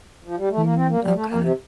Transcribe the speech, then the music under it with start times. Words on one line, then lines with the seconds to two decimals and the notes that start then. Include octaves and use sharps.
Mm, okay.
0.24 F3
0.37 G3
0.50 A3
0.63 A#3
0.75 C4
0.89 A#3
1.01 G3
1.14 A3
1.28 A#3
1.41 C3